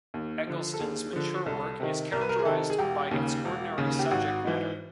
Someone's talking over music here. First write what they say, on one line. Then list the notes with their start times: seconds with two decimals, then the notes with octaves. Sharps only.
Eggleston's mature work is characterized by its ordinary subject-matter.
0.14 D#2
0.47 D3 F3
0.74 A4
0.80 D#2 G#4
1.13 D3 F3
1.46 C2 A4
1.80 C3 D#3
2.12 C2 A#4
2.21 B4
2.29 A#4
2.39 G#4
2.45 C3 D#3 A4
2.70 G#4
2.79 E1 G4
3.11 D#2 C#3
3.45 E1
3.78 D#2 C#3
3.99 G4
4.11 G#1 F#4
4.45 G#2 E3